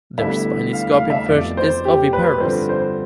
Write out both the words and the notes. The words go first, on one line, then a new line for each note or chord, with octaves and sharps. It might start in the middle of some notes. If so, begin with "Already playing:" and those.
The spiny scorpionfish is oviparous.
D2 D3 G3 B3 E4 E5
F5
F5
E5
F1 F2 C3 F3 B3 D5
C5
G4
B4
G2 D3 F3 C4 F4 C5
C5